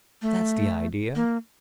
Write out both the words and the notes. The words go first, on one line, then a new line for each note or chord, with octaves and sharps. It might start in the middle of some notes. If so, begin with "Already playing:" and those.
"That's the idea!"
A3
A#3